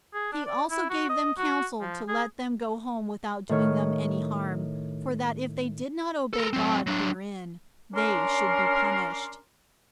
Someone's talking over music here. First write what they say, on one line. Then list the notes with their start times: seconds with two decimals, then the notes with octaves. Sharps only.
He also gave them counsel to let them go home without doing them any harm, for that if they did not obey God herein, they should be punished.
0.14 G#4
0.33 D4
0.46 D5
0.71 E4
0.90 F#4
1.09 D#5
1.38 F#4
1.81 F3
2.08 G#4
3.49 A2 D#3 C#5 F6
6.33 A4 A#4
6.53 F#3 C4
6.87 F#3 D4
7.94 C#4 D4 A#4 C6